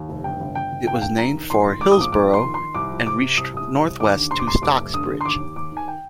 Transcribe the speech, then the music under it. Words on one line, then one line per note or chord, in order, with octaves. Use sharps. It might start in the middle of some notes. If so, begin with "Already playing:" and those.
It was named for Hillsborough and reached north west to Stocksbridge.
Already playing: D#2
F1
G1 G5
G1
G1 G5
G1
G1 G5
F5
G2 G5
G2 A#5
D#3
A#1 C6
D#3
G#2 D6
D#6
A#1 D6
A#1 D6
A#1
C6
D#3
D#3 C6
C2 D6
F3
C3 D6
C3
C2 D#6
C2 D#6
C3
C2
D#2 D6
D3
F1 C6
D6
F1 C6
F1 D6
F1
D3 D#6
D3
C6
D#2 D6
D#2
D#2 D6
D#3 G#5
G5